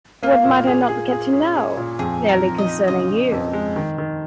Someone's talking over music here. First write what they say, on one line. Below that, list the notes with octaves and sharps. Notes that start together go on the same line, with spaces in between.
What might I not get to know, nearly concerning you?
A#3 F4
A#2
G#4
G#4
G#4
C#4
G#4
A#2
F2 G#4
D#4
A#4
F2
D#5
D#4
C#3 D#5
C#3
F2
G#3
D#3
D#3